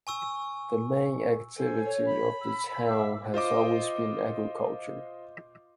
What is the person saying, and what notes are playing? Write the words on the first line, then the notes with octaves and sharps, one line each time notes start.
The main activity of the town has always been agriculture.
G#5 C#6 E6
A4 C5 G#5
C#5
B5
E6
E5 F5 D6
F4 C5 D#5 D6